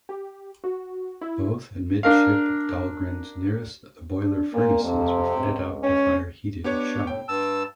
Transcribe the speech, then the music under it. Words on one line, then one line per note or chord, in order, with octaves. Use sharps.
Both amidship Dahlgrens nearest the boiler furnaces were fitted-out to fire heated shot.
G4
F#4
E4
D4 A#4 F5
D4
A#2 A#3
F2 C3
C#2
C#4
B3 D4 G4 C#5
A2 G5
G2 A5 E6